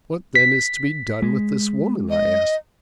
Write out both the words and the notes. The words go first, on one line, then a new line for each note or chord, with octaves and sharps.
"What, then, is to be done with this woman?" I asked.
B6
G#3
D#5